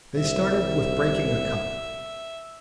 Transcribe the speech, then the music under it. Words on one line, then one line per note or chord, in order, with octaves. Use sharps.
They started with breaking a cup.
C2 E5